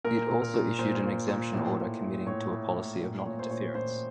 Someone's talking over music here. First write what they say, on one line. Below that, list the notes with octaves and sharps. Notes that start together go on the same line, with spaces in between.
It also issued an exemption order committing to a policy of non-interference.
A#2 A#4
A#2
A#4
A#2
A#2 C5
A#2
A#2
A2
A2
A2
A2 C#5
A2
A2
A#2
A#2 C#5
C5
A#2 C#5
A#2 C5